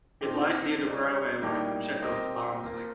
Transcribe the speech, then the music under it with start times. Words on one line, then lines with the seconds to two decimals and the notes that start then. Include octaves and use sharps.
It lies near the railway line from Sheffield to Barnsley.
0.21 A#2 F3 C4 D#4 G4
0.80 G3 D4 F4 C5 D#5
1.42 A2 G3 A#3 D#4 G4
2.02 C4 G4 A#4 D#5
2.63 F3 A#3 F4 A#4